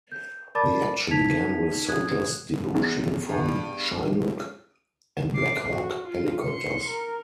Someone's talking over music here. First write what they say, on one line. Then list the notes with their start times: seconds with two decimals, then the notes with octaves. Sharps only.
The action began with soldiers debouching from Chinook and Black Hawk helicopters.
0.12 G6
0.55 A#4 D5 A5 B5 D6 A6
1.11 D#4 A5 G#6 B6 F7
1.89 D#6 F#6 G#6
2.74 E2
3.29 G2
5.35 D6 C7
5.69 F#4
6.08 F4
6.44 C6 C#7
6.89 A#4